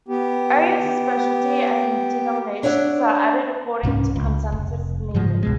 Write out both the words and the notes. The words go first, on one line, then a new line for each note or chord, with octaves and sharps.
Areas of specialty and denominations are added according to consensus, as needed.
B3 G4
D4 C#5 E5 F#5
C2 G#2 F3 C#4
C#2
F1
G#2 C#3 F3 G#3
C#2 B2 G#3